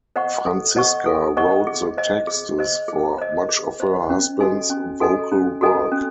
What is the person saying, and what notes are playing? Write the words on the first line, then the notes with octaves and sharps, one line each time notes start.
Franziska wrote the texts for much of her husband's vocal work.
C5 D#5 F#5 C#6
A4
C5 D#5 F#5 C#6
A4
C5 D#5 F#5 C#6
G#4
C5 D#5
G#4
C5 D#5
G#4
C5 D#5
G#4
C5 D#5
C#4
F#4 A4 D#5 G#5
C#4
F#4 A4 D#5 G#5
C#4
F#4 A4 D#5 G#5
C#4